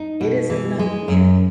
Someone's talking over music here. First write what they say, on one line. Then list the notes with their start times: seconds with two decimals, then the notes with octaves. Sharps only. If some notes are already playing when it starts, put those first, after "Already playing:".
It is a nightmare.
Already playing: D#4
0.21 B2
0.50 E3
0.79 G#3
1.08 F#2